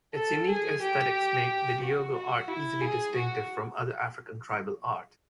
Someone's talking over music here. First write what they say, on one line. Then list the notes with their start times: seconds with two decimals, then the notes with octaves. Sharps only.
Its unique aesthetics make Bidyogo art easily distinctive from other African tribal art.
0.14 A4
0.48 G#4
0.82 G4
1.82 F#4
2.15 F#4
2.48 E4
2.81 G#4
3.16 F#4